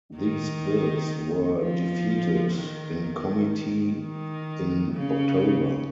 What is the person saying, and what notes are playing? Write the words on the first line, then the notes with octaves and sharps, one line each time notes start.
These bills were defeated in committee in October.
D#3
F3
D#3
D#3
C#3